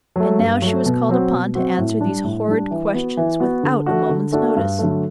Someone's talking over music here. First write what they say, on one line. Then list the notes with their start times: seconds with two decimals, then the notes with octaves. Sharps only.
And now she was called upon to answer these horrid questions without a moment's notice!
0.16 F#3 A3
0.39 G2
0.62 F#3 A3
0.86 B2
1.09 F#3 C4 F#4
1.32 B2
1.55 F#3 C4 F#4
1.78 A2
2.01 D4
2.06 G3
2.24 A2
2.48 G3 D4
2.71 E3
2.94 B3 F#4
3.17 E3
3.40 B3 F#4
3.63 D3
3.86 A3 D4 F#4
4.09 D3
4.32 A3 D4 F#4
4.56 G2
4.79 D3 F#3 A3